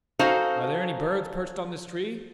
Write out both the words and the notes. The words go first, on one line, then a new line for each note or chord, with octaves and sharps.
Are there any birds perched on this tree?
C#4 D#4 F#4 A4 C5 F5